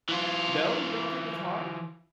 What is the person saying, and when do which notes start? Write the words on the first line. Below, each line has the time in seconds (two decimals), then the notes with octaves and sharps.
No, you don't think it's hard?
0.09 E3 F4